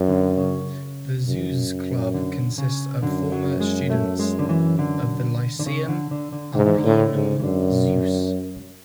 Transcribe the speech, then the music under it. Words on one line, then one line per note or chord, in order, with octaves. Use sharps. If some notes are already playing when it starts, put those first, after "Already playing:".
The Zuoz Club consists of former students of the Lyceum Alpinum Zuoz.
Already playing: F#2
D3
C#3
F#2
D3
C#3
F#2 D3
F#3
G#3
A3
G#3
D3
E3
D3
D3
C#3
D3
D3
D3
G#2 D3
E3
D3
A2
G#2
E3
F#2 D3